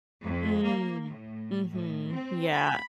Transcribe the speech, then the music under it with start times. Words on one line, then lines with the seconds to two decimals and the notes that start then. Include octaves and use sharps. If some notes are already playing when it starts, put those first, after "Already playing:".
Mm. Mhm. Yeah.
0.22 F2
0.62 A#3
1.08 A2
1.70 A2
2.10 C4
2.52 B5